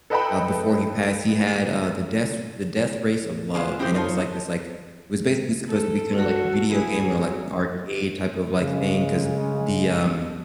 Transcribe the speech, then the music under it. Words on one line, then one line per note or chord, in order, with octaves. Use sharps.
uh before he passed, he had, uh, The Death The Death Race of Love, and it was like this, like it was basically supposed to be kinda like a video game or like an arcade type of, like, thing, 'cause the, um
A4 B4 D#5 G5 A5 B5
D3 G#3 B3 F4 G#4 C5
C4 E4 G4 G#4 A#4 C5
D#4 F4 C5 C#5 A5
A4
F#4 A4
E4 G#4
F#3
C#3 G#3